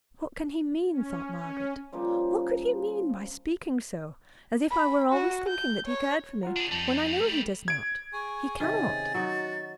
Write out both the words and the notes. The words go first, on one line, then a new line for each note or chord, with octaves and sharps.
'What can he mean?' thought Margaret,--'what could he mean by speaking so, as if I were always thinking that he cared for me, when I know he does not; he cannot.
C#4
C#4
C#3 F3 G3 A#3
B5
F#4
G6
C#5
F4 F#5 A#5
D4 G#4
F2 G3 D#4 A5
A3
G#6 D7
G#4 C#6
C3 D#3 C#4 A6
F#3 D#4 F#4